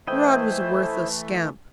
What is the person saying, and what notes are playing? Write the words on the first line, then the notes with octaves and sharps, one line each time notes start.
Rod was a worthless scamp.
E3 A3 E4 C5 D#5 G5